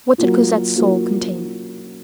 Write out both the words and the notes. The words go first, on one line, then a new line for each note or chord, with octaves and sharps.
What did Cosette's soul contain?
F#3 A#3 F4
F#3 A#3 F4